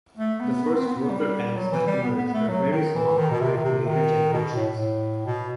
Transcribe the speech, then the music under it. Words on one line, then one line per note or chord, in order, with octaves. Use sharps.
The first worker ants that emerge are very small compared to later generations.
A3
B3
B3
C4
B3
C4
B3
G3
F#3
E3
G3
B3
B3
B3
A3
F#3
D#3
E3
D#3
B2
C3
D#3
C3
D#3
B2
A2
A2
B2